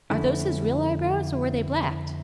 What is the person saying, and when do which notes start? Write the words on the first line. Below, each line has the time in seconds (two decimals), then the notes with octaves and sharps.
"Are those his real eyebrows or were they blacked?"
0.10 F2 D3 A3 C#4 E4